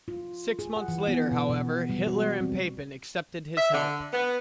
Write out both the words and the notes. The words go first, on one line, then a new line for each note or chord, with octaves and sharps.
Six months later, however, Hitler and Papen accepted his help.
F4
G#4
F#5
E3
B3
B2
B2
G3
F#4
C4
E5
D3
B3